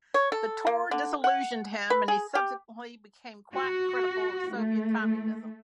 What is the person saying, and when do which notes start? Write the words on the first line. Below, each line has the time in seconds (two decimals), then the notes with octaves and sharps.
The tour disillusioned him and he subsequently became quite critical of Soviet communism.
0.14 C#5
0.32 A4
0.67 A#3
0.91 D3
1.24 F#5
1.90 B4
2.08 G#4
2.35 G4
3.53 F#4
4.54 A3